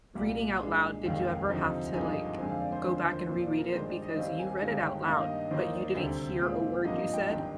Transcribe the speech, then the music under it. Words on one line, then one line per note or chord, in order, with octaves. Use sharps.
reading out loud, did you ever have to, like, go back and reread it, because you read it out loud, but you didn't hear a word you said?
C2 A#2 G3 A#3
A#2 G#3 D4
F1 D#2 D#3 G#3 F5
D2 C3 F3 C4 D#4
G#1 G2 F3 G#3 D#4 G#5
F2 D3 G#3 C4 G#5
F5
D5
C5
D#2 D3 F3 C5
C5
A#2 F3 C4 C5
D5
A#4
G2 D#3 G#3 C5
D5
D#5
D#2 D#3 G3 C4 F5
G#5
G1 G2 D#3 G#3 F5
G5
G2 D#3 A#3 D#4 F5
D#5
D#5
D#2 D#3 A#3 D#4 C5
D5
D2 C3 G3 C4
A#2 G#3 C4 F4
G#1 G2 F3 A#3 D#4 D#5
D#5
G5
G#1 G2 D#3 G5